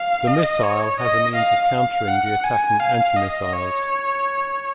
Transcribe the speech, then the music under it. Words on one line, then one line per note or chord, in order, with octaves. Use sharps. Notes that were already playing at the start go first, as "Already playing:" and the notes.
The missile has a means of countering the attacking anti-missiles.
Already playing: F5
D#5
C#5
D#5
F5
F#5
G#5
F5
D#5
C#5